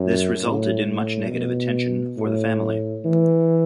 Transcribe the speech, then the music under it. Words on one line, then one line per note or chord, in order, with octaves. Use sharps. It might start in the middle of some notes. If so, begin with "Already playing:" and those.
This resulted in much negative attention for the family.
Already playing: F#2
A2
A2
B2
A2
E3